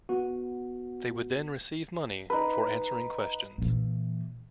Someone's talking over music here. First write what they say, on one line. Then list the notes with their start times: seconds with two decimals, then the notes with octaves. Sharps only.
They would then receive money for answering questions.
0.09 B3 F#4
2.30 D#4 B4
3.58 A#2 E3